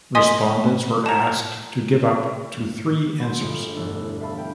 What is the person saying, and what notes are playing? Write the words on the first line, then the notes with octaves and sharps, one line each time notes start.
Respondents were asked to give up to three answers.
D#5 G#5 C6 D#6 B6
A5 A#5
B5 C6
G1 F4 G#4 D#5 D7
E1 G2 A3 D4
E4
B4 E5 F5 A5 B5
G5